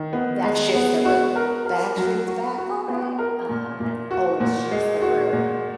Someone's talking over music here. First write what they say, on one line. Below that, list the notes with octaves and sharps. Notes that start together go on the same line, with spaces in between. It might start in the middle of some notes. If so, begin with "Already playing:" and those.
that shifts the room. "Backstreet's back, all right." Uh, that always shifts the room,
Already playing: D#3
B3
G#3
B3
F#4
A#4
A#4
F#3
F#4
F#4
B3
A#4
A#2
A#2
F#4
A#2
G#3
F#4
A#2